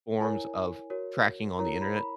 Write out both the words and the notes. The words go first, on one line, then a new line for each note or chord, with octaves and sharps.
forms of tracking on the Internet.
E4 A#4 C#5 G#5
F#4 A#4 C#5
E4 A#4 C#5 A#5
B5
B5